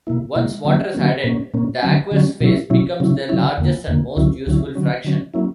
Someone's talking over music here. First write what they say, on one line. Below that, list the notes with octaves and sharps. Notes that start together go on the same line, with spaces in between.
Once water is added, the aqueous phase becomes the largest and most useful fraction.
B2 A#3 E4
B2 A#3 E4
D3 F#3 A#3 C#4
D3 F#3 A#3 C#4
A#2 A#3 C#4
A#2 A#3 C#4
D3 F#3 C#4
D3 F#3 C#4
B2 F#3 C#4 E4
B2 F#3 C#4 E4
C#3 F#3 C#4 E4
C#3 F#3 C#4 E4
E2 D3 A#3
E2 D3 A#3
D2 D3 F#3 C#4 E4
D2 D3 F#3 C#4 E4
D3 F#3 C#4
D3 F#3 C#4
F#3 A#3 C#4 E4